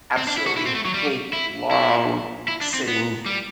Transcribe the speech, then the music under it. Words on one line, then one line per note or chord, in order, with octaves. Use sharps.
absolutely hate long, sitting
C4
D4
E4
F#4
E4
C4
A3
F#3
G3
E4
E4
E4
D4
C4
B3
G3